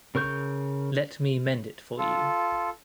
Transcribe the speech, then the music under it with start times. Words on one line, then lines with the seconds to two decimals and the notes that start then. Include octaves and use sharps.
Let me mend it for you.
0.15 C#3 A#4 C#6 G6
1.98 F4 A4